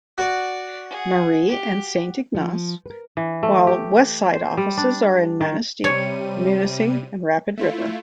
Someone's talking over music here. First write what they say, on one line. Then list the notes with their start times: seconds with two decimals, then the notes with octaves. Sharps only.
Marie and Saint Ignace, while Westside offices are in Manistique, Munising, and Rapid River.
0.18 F#4 D5
0.90 G#4 F#5
1.48 G4
2.35 F3
2.86 A#4 B4
3.17 E3
3.43 A3
3.67 G4
4.33 C5
4.57 G3
4.77 D4
5.41 D#3
5.84 C3 G3 C#5 D#7
7.57 A3 E4 F4